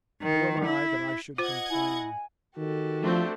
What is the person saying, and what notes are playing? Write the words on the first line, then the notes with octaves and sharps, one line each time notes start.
Who am I that I should complain?
D#3
E4
F4 C5 D#5 F#5 G#6
E4 G#5
D#3 F#4 G4 A4
F3 A3 C4 D4